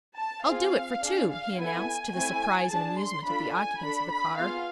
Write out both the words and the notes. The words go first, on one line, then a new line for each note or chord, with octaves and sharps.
"I'll do it for two," he announced, to the surprise and amusement of the occupants of the car.
A5
C4 F4 G#4 F5
D4 G#4
F5
B3 E4 A4 G#5
A3 C4 E4 G#5
D4 G#4 A5
C6
D4 F4 A4 B5
G#5
D4 A4 B5
B5
B3 F4 G#4 F5